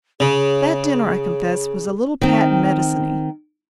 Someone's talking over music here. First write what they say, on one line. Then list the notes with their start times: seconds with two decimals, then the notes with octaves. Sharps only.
That dinner, I confess, was a little patent mediciney.
0.20 C#3 G#4
2.21 D#3 C4